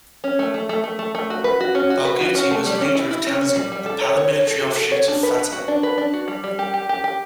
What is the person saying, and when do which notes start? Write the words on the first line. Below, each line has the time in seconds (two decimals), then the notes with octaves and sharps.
Barghouti was a leader of Tanzim, a paramilitary offshoot of Fatah.
0.24 C#4
0.39 A3
0.54 A3
0.69 A3
0.84 A3
0.99 A3
1.15 A3
1.30 F#4
1.44 B4
1.60 F#4
1.75 C#4
1.90 F#4
2.05 B4
2.21 F#4
2.35 C#4
2.51 A3
2.66 G3
2.81 C#4
2.95 E4
3.11 E4
3.27 C#4
3.42 C#4
3.56 G3
3.72 G3
3.86 A4
4.01 C#5
4.17 C#5
4.31 C#5
4.47 A4
4.61 F#4
4.77 A4
4.92 C#5
5.08 D4
5.23 B4
5.37 B4
5.53 F#4
5.68 D4
5.83 B4
5.98 D4
6.14 F#4
6.28 G3
6.44 G3
6.59 G4
6.74 G4
6.89 G4
7.04 G4